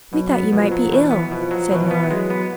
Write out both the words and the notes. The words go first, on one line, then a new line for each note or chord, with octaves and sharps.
"We thought you might be ill," said Nora.
B2 F#3
B3
B2 F3
F#3
B2 E3
B3
B2 F3
F#3
B2 E3
B3
F#3 G#3
B3